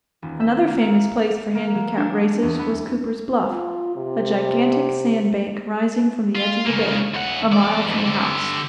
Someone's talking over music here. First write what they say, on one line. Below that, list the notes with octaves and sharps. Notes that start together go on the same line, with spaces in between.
Another famous place for handicap races was Cooper's Bluff, a gigantic sand-bank rising from the edge of the bay, a mile from the house.
D#1
E5
A#3
A#3
F#3
D4
E2
B3
F4
C3
F4
C#3 A#3
D#2 F#5
E2 D5
F2 G#2
D3 G4